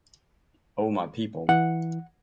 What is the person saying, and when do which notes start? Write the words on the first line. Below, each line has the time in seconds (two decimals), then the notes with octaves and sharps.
O my people!
1.49 E3 F#5